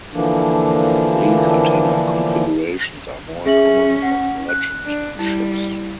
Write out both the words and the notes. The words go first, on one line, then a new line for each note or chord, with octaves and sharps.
These antenna configurations are more common on merchant ships.
D3 E3 F3 A#3 D4
C#4 G#4 E5 F#7
F#5
F#6
D4
G3 E4